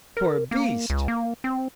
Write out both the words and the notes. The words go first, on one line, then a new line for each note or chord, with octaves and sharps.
"Poor beast!"
A#4
A#3
C#2
A#3
C4